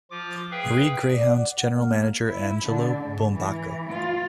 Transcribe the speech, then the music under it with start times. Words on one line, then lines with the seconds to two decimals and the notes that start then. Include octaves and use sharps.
Marie Greyhounds General Manager Angelo Bumbacco.
0.11 F3 F4 D6
0.51 G#4 B4 E5 F5 G5
1.12 D5
1.31 F#5
1.53 F#5
1.72 A#3
2.26 E4
2.63 D3
3.04 G#2
3.32 E3
3.89 F4